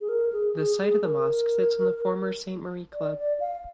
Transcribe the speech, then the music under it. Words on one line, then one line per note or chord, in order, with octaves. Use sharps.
The site of the mosque sits on the former Saint Marie Club.
G#4
A#4
G#4
G#4
G#4
A#4
D5
D5
F5